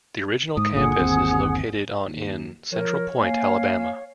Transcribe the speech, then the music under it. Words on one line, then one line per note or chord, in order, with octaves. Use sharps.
The original campus is located on in Center Point, Alabama.
G#2 D#6
G1 A#2 D3 G#4 F#5 D#6
G1 D#2 C4
D#2
F3 A#4 C#5
A#3 F5 G#5